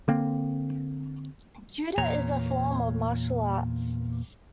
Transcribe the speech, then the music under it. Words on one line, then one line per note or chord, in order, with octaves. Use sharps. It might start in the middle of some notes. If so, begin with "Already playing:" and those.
Judo is a form of martial arts.
D3 A#3 C4
E2 A#2 C#5 A#5